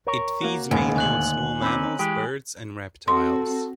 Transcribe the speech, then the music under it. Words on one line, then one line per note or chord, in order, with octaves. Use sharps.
It feeds mainly on small mammals, birds, and reptiles.
A#4 C#5
A#3 F#4
E1 A1 D#2 G#3 B3 G#5
D2 G#5 F#6 F#7
C4 C#4 D#4 B5 D6
E3 G#3 G4
C4 F#4 A4 C6